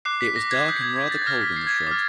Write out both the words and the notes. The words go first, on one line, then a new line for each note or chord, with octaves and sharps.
It was dark and rather cold in the shed.
D6 F#6 C7
B6
A#6
G#6
D#6 F#6 G6
G#6
G#6
A6
D6 F6 A#6
B6
C7
G#6
A6
D6 F6 A6